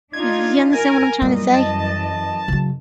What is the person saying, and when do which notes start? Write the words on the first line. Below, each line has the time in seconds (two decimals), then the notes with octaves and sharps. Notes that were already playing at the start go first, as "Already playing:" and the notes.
Y you understand what I'm trying to say?
0.13 D4 D#4 F4 G#6
0.73 A#4 G#5
1.22 F#2 A#2 E3 G3 D#5
1.54 A5
2.48 C#3 F#3